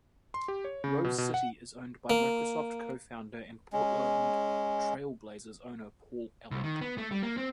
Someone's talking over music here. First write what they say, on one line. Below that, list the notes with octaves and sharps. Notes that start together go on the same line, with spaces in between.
Rose City is owned by Microsoft co-founder and Portland Trail Blazers owner Paul Allen.
C6
G4
C#5
C#3
B2
B2
F#5
A#3
G#3 C#4
C2
D#3
B3
A3
G3
A#3
C4